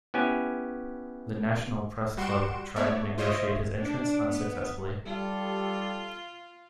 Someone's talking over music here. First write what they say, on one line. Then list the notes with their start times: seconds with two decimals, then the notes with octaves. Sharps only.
The National Press Club tried to negotiate his entrance unsuccessfully.
0.14 B3 C#4 E4 G4 G#5
2.17 G3 F#4 C6 C#7 D7 E7
2.76 A3 B3 C#5 D5 E5
3.18 F4 C5 C#5 D#5 E5
3.82 D4
4.28 B3
5.05 G3 F4 G4 A4